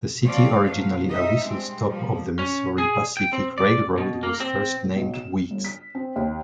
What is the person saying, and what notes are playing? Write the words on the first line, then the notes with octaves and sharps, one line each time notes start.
The city, originally a whistle-stop of the Missouri Pacific Railroad, was first named "Weeks".
F3 C4 C#5 D5 F5
F3 F#3 F5
D#4 D#5 E5
G2 G#3 C4
F3 G3 A#3
C#4
G#4
G5
C4
D5
B2
A#3
C4
B1
E7
G1
B6
C4
D#2